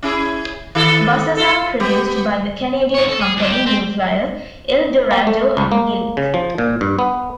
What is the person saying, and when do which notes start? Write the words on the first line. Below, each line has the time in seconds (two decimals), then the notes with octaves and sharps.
Buses are produced by the Canadian company New Flyer, Eldorado, and Gillig.
0.03 C#4 E4 G#4
0.75 D#3 E4 A4
1.37 F4 A4
1.80 B3 G4
2.94 G#2 C#5
3.09 A4
3.21 G#4
3.37 F2 D4
3.52 G4
3.66 C4
5.11 A#3
5.27 A3
5.57 C#2
5.72 A#3
6.17 C#3
6.34 F3
6.58 A#2
6.81 G2
6.99 B3